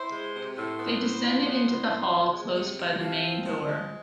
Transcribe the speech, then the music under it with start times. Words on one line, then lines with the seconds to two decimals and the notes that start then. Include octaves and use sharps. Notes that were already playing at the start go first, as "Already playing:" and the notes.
They descended into the hall close by the main door.
Already playing: E4 C5
0.11 G#3
0.34 C3
0.56 A2 C5
0.78 B3
1.01 A2
1.22 F3
1.45 B3
1.67 A2
1.89 B3
2.11 B3
2.33 G#3
2.55 C3
2.78 C3
3.00 F3
3.23 C4
3.44 F3
3.67 G#3